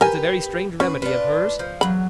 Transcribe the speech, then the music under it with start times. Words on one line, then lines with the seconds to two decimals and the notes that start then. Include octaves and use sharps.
It's a very strange remedy of hers.
0.01 G4 A#4 B4 G#5
0.80 C#4 F#4 B4
1.02 D4 F4 B4
1.59 F3
1.81 E2 F#3 B5